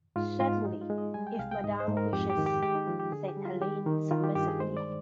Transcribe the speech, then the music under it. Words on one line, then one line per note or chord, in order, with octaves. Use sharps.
"Certainly, if madame wishes," said Helene submissively.
G#2 F4
G#2 F4
G#3 D#4
F4
G#3
D#5
G3 G#5
G5
C2 F5
G5
G#2 D#5
C5
G#2
A#4
F2 G4
G4
D#3
G4
G#3 G4
D#4
F3 F4
G4
D3 G#4
G4
G3
F4
D#3 G4
D#3
D#3 F4
G4
G2 G4
G#4
G#3 C5
D5